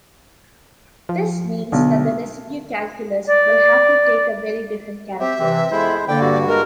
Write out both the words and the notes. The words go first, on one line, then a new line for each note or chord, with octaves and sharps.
This means that the residue calculus will have to take a very different character.
F3
B1 D3
D5
C4 G4 E5
C3 E3 C4
F2 G#3 B3 E4 C5
D3 A#3 D5 G5
G2 F#4
G#3 A#4